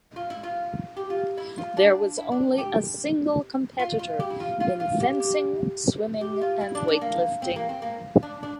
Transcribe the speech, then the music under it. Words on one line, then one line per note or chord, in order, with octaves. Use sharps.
There was only a single competitor in fencing, swimming, and weightlifting.
F4
E4
F4
G4
F4
E4
F4
D4
E4
D4
G4
F4
F4
G4
E4
F4
F4
F4
G4
G4
G4
F4
E4
D4
D4
A#3
C4
A#3
C4
A#3
D4
D4